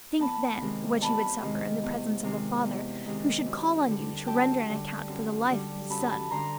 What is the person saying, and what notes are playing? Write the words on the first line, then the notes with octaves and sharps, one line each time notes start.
Think, then, what you would suffer in the presence of a father who should call on you to render an account for the life of his son!
E2 A5 B5
C3 D#3 G#3
E2 A5 B5
C3 D#3 G#3
E2
C3 D#3 G#3
E2
C3 D#3 G#3
F#2
D3 G3
F#2 G5 A5
D3 G3
F#2
D3 G3
F#2 A5 B5
A5 B5
D3 G3 A#5 C6